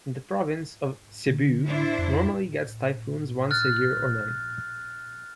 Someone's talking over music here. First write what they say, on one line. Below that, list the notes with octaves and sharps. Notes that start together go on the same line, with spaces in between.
The province of Cebu normally gets typhoons once a year or none.
D3
D4 E4 C5
F2
F6 F#6 A6